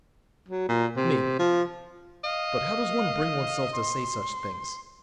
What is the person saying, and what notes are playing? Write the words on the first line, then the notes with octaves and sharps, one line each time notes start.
ME: But how does one bring oneself to say such things?
F#3
A#2
C3
F3
D#5 F5
C6